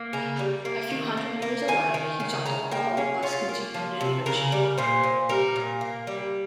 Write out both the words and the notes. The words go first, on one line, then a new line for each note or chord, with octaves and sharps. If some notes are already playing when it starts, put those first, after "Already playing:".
A few hundred metres away, he jumped off while the bus continued in motion.
Already playing: A#3
C#3 A#5
G3
A#3
D#3
A#3
A#3
D#3 G#5
D#3
C#3
C#3 A#5
A#3 G5
C#4 G#4
C#4 F4
A#3
F3
C3
C#3 A#4
G3
A#2 C5
A#2
G3 A#4
A#2
A#3
G3